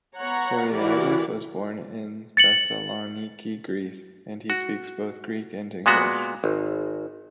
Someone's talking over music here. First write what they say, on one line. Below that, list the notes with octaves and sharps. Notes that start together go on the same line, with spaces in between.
Voreadis was born in Thessaloniki, Greece, and he speaks both Greek and English.
B3 C#5 F#5 A#5
E3 E4 F#4 G4 A#4 D5
A6 C#7 F#7
F#4
A#2 G#3 B3 F#4
G#1